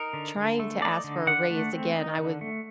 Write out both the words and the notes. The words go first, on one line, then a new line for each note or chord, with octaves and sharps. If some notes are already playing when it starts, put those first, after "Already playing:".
trying to ask for a raise, again, I would
Already playing: D#4 A#4
D3
D3
A3
D#4 D5
D3
D3 F#5
A3
C4
D#4
D3
A3